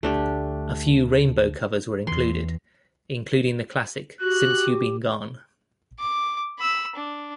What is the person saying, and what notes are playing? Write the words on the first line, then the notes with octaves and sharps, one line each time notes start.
A few Rainbow covers were included, including the classic "Since You Been Gone".
D2 A3 D4 G4
E2 E3 C6
F#4 G4 F#6
D6
B5 E6
D4